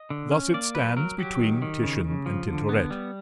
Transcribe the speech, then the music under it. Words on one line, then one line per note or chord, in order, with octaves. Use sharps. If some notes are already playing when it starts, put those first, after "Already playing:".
Thus it stands between Titian and Tintoret.
Already playing: D#5
D3
C#4
A#3 D5
F#3 B4
F#3 A#4
F#3 G4
D#3
D#3
C#3
C#3
F3
D3
B3
G3